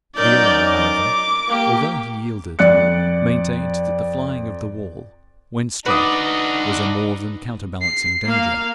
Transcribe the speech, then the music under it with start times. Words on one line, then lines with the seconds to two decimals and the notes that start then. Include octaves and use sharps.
The earl, however, although he yielded, maintained that the flying of the wall when struck was a more than counterbalancing danger.
0.17 F#3 C#4 D#4 A#4 D5 D#5 G6
0.67 D6
1.49 A#3 G4
2.59 F2 D5 F#6 C#7
5.86 D4 D#4 F#4 B4 D6 D#6
7.82 C7
8.25 A#3 F5